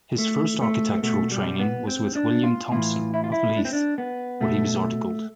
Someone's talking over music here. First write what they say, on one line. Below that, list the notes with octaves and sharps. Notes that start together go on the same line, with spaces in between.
His first architectural training was with William Thomson of Leith, where he was articled.
A3
A3
B2 A3
G3
B3
C4
D4
F4
A2 E3 F4
E4
F4
E4
D4
C4
D4
B3
B2 A3